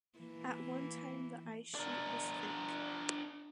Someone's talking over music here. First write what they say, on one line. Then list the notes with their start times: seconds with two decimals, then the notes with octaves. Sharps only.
At one time the ice sheet was thick.
0.19 E3 A#3
1.75 D4 A#4